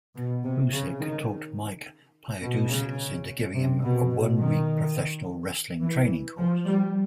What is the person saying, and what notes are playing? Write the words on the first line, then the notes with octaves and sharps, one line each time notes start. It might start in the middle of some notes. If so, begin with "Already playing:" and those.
Busick talked Mike Paidousis into giving him a one-week professional wrestling training course.
B2
C3
C#3
D#3
B2
C#3
C3
B2
B2
D#3
E3
F3
G3